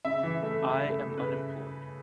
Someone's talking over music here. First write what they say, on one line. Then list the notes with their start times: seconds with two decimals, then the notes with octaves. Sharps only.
I am unemployed.
0.05 C#3 E5
0.23 E3
0.43 A3
0.62 C#3
0.81 A3
0.98 A3
1.18 C#3 B4